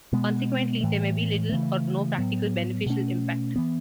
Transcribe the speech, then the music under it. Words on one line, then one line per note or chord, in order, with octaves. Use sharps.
Consequently, there may be little or no practical beneficial impact.
B2 G#3 B3
A2 E3 A3
C#3 E3 A3
A2 F#3 B3
B2 A3 C#4
E3 B3